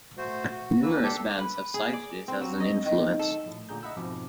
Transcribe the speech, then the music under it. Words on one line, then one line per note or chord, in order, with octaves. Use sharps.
Numerous bands have cited it as an influence.
A3 F#4 C5
F#4
E3 A#3 B4 E6
D4 G4 A4
B4
G#4
D5
C4
F#3
D#5
D#3
A4
A#1 A2
A#2 D3 G#4 A#5 G6
D#5 E5 F#5 B5 E6
F2 G#2 B2 F3 D6